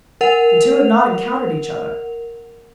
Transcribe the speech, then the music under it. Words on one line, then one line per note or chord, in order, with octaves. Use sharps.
The two had not encountered each other.
A#4 F#5 F7